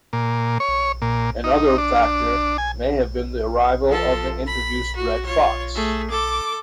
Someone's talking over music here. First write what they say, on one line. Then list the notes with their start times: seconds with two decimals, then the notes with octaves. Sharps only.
Another factor may have been the arrival of the introduced red fox.
0.13 A#2
0.60 C#5
1.02 A#2
1.44 D#4
1.78 D4
2.58 G#5
3.88 F3 A4
4.47 B5
4.96 F#4
5.26 F4 C#5
5.75 A3 G#4
6.10 A4 D6